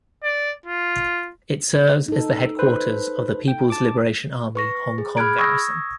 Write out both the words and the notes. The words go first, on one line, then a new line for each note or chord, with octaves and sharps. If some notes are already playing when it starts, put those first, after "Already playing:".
It serves as the headquarters of the People's Liberation Army Hong Kong Garrison.
D5
F4
D#4 A4
B4 C5
G5
A5 D6
B4 C#6 A#6
G#4
G#4 B5 F6 F#6 G#6 D7
C#6 D#6 E6 G#6 A#6